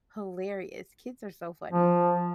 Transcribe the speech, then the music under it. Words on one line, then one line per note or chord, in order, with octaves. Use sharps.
Hilarious, kids are so funny.
F3